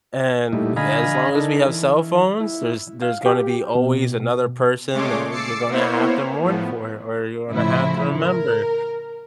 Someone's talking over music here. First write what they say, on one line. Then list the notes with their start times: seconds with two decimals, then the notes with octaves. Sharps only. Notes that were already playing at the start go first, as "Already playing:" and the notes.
And as long as we have cell phones, there's there's gonna be always another person that you're gonna have to mourn for, or you're gonna have to remember.
0.53 A#2 G3 A3 D#4 E4
0.76 D3 D#5 F5 G#5 A#5 B5
1.35 D4 D#4 A4 A#4
1.67 E3
2.40 E4
3.02 F5
3.26 G4
3.75 B2
4.93 C#3 G#3 A3 C#5 C6 D6
5.30 D6 E6 A6 C7 C#7
5.69 A#3 B3 E4 C5 C#5
6.41 A2 F3 B3
7.50 A2 C#3 F3 E4
8.17 A#4